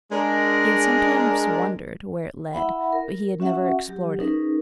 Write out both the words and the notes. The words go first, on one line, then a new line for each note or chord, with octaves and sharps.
He had sometimes wondered where it led but he had never explored it.
G#3 D4 A#4
E4 E5 F#5 B5
A#4
C#4 F#4 E5 F#5
F#3 G4
C#4 D#4 G#4 A#4 B4